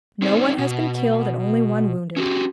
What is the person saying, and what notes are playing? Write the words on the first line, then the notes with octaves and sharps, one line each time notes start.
No one has been killed and only one wounded.
C4 D#4 C5 D5
B2
C#4 F#4 G4